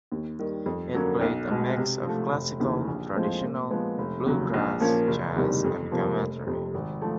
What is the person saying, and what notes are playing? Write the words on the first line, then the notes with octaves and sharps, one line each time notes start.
It played a mix of classical, traditional bluegrass, jazz, and commentary.
D#2
D#3 G3
F2
D3 F#3 A#3 C#4
B1
B2 G#3
C3
F3 A3
F1
D#2 C#3 E3
A#1
A2 F3 G#3 C4
A#2
F3 G#3 B3
F1
D#2 C#3 F#3
A#1
A#2 F3 A#3 C#4
F#1
E2 C3 D#3 G3
F2
C3 F3 A#3
F1
F2 C3
G#1
F3 A3